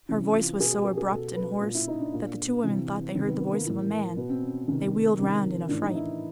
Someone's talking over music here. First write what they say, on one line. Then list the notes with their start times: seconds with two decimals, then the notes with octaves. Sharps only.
Her voice was so abrupt and hoarse that the two women thought they heard the voice of a man; they wheeled round in affright.
0.09 C3 E3 C#4
0.22 C#4
0.34 F4
0.60 B2 G#4
0.73 G4
0.85 G#4
0.97 G#4
1.11 B2 A4
1.36 B4
1.61 A#2
1.75 E4
1.88 D#4
2.00 D4
2.13 A#2
2.64 C3 E3
3.15 C3 D#3 C4
3.28 B3
3.39 B3
3.53 A#3
3.66 A2 E3 A#3
4.16 B2 B3
4.29 C4
4.41 C#4
4.67 C3 D#3 C#4
5.18 C3 D#3
5.69 A2 E3 D4
5.82 D#4
5.95 E4